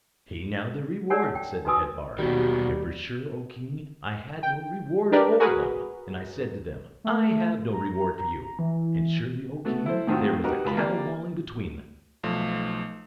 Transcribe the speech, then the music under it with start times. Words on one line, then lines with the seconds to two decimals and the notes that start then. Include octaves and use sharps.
'Pay now their reward,' said the head bard; and for sure, O king, I had no reward for them; and I said to them, 'I have no reward for you.' And surely, O king, there was a catterwauling between them.
1.10 D#4 A#4 C#5 D5 F#5 G#5
1.35 G5
1.65 D#4 F#4 B4 G#5 D#6 E6
2.18 D#2 B2 D#3 G3 F#4
4.43 G5
5.12 D4 G4 A#4 B4 D5
5.40 F#4 G#4 A#4 B4
7.04 A3
7.73 A#5
8.59 E3
9.65 A3 B3 F#4
9.86 E4 A4 C5
10.07 A2 D#3 C4 F4 F#4
10.44 D#4 F#4 G4 A#4 B4
10.65 C#2 F4 B5
10.77 A#3 G4 D5
12.23 B1 F3 A3